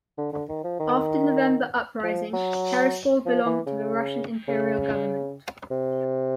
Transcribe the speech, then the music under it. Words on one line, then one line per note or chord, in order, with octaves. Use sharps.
After November Uprising, Terespol belonged to the Russian Imperial government.
D3
D3
D#3
F3
D#3
F3
F#3
F3
E3
C#3
C#3
C3